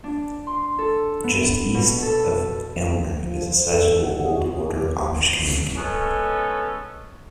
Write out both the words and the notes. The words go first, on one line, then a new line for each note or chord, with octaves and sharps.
Just east of Aylmer is a sizable Old Order Amish community.
D4
C6
A4
B3
B2
A4
F3
C5
A4
F#5
G#4
F#4
G#4
G4
G#3 B3 C#4 A4